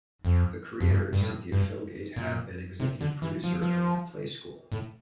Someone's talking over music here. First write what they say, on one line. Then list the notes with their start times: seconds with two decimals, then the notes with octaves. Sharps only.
The creator Cynthia Felgate had been executive producer of "Play School".
0.25 F2
0.80 F2
0.89 G2
1.13 G2
1.21 A2
1.52 G2
2.16 A#2
2.80 C3
3.01 D3
3.22 E3
3.44 F3
3.62 F3
4.72 A2